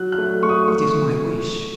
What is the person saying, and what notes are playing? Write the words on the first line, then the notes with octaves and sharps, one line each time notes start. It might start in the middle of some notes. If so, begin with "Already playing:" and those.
It is my wish.'
Already playing: F#3 F#6
F#6
A3
A3 C#6
D#6
A3 C#6